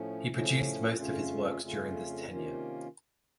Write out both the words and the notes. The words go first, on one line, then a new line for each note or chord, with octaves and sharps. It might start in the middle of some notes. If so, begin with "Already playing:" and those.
He produced most of his works during this tenure.
Already playing: A2 F3 A3 C#4
A2 F3 A3 C#4
F2 C#3 A3 C#4 F4
F2 C#3 A3 C#4 F4
C3 D#3 A#3 C#4 F4